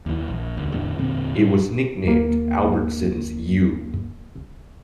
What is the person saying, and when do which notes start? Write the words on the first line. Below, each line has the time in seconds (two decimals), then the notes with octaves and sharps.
It was nicknamed Albertsons' U.
0.06 D#2 E3
0.28 A#1
0.57 E1 D2
0.73 E2 A2 D3
0.98 E1 A#2 D3 C4
1.36 A2 G3
2.04 D#2 A#3